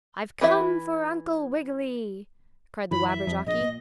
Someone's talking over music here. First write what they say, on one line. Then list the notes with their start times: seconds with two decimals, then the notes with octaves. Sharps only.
"I've come for Uncle Wiggily!" cried the Wabberjocky.
0.41 E3 E4 E5
2.91 F#2 E3 B5
3.08 E5
3.27 F2
3.46 A#1 D#5
3.60 A#2